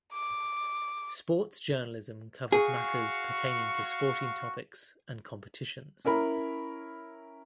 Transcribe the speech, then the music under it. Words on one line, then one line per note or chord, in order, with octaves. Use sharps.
Sports journalism covers matters pertaining to sporting topics and competitions.
D6
F#4 G#4 F5 C#6
C#4 E4 A#4 B5